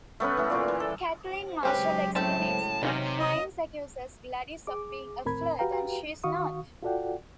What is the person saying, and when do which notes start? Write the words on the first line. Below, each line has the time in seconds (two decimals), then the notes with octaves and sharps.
Kathleen Marshall explains: Hines accuses Gladys of being a flirt, and she's not.
0.20 A3 B3 C#4 B4
0.37 E3 A3
0.50 A#2 F4 D5
0.68 E3
0.80 A4
1.63 C#3 F#3 G#3 C4 C#4 G4 B4
2.16 A2 A3 C4 G4 A5
2.83 C3 D#3 F#3 C#4
3.19 D#5
4.67 G#4 D6
5.25 D#2 A2 C4 A#4 B5 G#6
5.59 F#4 G4 B4 F5 G5 A#5
6.24 D#3 F#4 F5 C#6 D#6
6.83 F4 F#4 A4 D5 F#5 G5